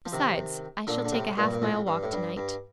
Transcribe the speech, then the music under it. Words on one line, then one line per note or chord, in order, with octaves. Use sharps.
Besides, I shall take a half-mile walk to-night.'
F3
C3 D#3
A#2 D3
D3
A2 C3
G2 A#2
A#2
F2 A2
G2
A2
G2
G2